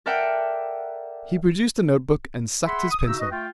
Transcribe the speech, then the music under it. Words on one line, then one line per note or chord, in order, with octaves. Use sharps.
He produced a notebook and sucked his pencil.
A4 A#4 D5 E5 F#5 G5
G#4 E5 F#5 B5 C6
D#6
C#3 D#4 F#4 E5 E6
D#4 F#4 B4 D#5
A3 F4 G5